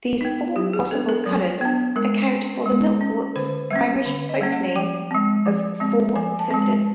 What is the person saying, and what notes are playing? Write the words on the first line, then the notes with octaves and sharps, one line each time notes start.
These four possible colours account for the milkworts' Irish folk-name of 'four sisters'.
B3 D#4
F#3 G4
G#4
B3 D4 A4
A#4
F#3
B3 D4
G#3 A#4
C#4
G#3
C#4
D3 C5
G3 A#3 C#4 E5
D3
D#5
G3 A#3 C#4
F#5
F3 G5
G#3 C4
F3
G#3 C4
F3 G#5
A5
G#3 C4
A5